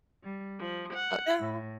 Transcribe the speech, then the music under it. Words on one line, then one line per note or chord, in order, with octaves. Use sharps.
Oh, no.
G3
F3
F#5
A2